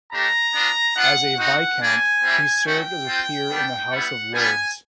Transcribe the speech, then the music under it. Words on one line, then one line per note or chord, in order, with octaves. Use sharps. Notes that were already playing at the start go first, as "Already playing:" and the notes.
As a Viscount, he served as a peer in the House of Lords.
A3 D4 G4 A#5
B3 D4 F4
B3 D4 F4 F#5
C4 D#4 F#4 F#5
G3 A#3 D4 G#5
G3 C4 E4 G4
A3 C#4 F#4 G5
C4 F4
G3 B3 D4
G3 B3 E4 F#5
G3 B3 D4 F4 G#5